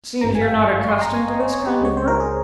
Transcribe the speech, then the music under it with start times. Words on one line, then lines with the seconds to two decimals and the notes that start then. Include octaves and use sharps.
Seems you're not accustomed to this kind of work?'
0.21 G#1 G2 D#3 G3 C4 A#5
0.35 G#5
0.41 F5
0.48 G5
0.62 C#6
0.88 C6
1.01 A#5
1.14 G#5
1.28 D#5
1.40 C#5
1.53 C#5
1.67 G4
1.81 C#2 C#3 G#3 C4 C#5
1.97 C5
2.08 A#4
2.20 G#4